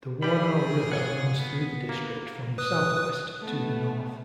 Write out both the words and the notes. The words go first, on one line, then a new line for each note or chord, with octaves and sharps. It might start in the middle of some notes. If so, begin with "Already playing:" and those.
The Warnow river runs through the district from the southwest to the north.
G3 G4 G#4 B5
F4 C#5 F#5
B3
A#3
B4 D#6 F#6
A3 B3